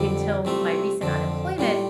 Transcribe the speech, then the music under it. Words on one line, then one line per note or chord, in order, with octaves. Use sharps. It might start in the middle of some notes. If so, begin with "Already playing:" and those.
until my recent unemployment,
Already playing: F2 D3 G3
C2 C3 A3 F4
F2 D3 F3
A2 G3 F4